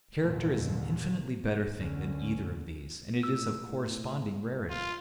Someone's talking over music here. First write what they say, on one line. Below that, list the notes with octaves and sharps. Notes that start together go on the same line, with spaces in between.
Character is an infinitely better thing than either of these, and it is of corresponding rarity.
G#1 D#2 A#2 D3
D2 C#4
A2 E6
A2
F4